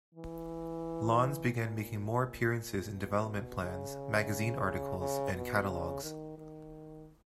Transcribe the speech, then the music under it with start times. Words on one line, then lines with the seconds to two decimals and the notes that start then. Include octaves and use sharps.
Lawns began making more appearances in development plans, magazine articles, and catalogs.
0.15 E3
1.53 A#2
2.23 A#2
2.91 B2
3.60 C#3
4.99 C#3
5.34 B2
5.69 C#3
6.03 D#3
6.38 D#3